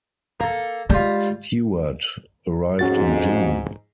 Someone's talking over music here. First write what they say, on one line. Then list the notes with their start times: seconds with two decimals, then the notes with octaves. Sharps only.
Stewart arrived in June.
0.40 A#3 A4
0.90 G3 G#3 F4
2.79 F2 G#2 C#4 F#4 A6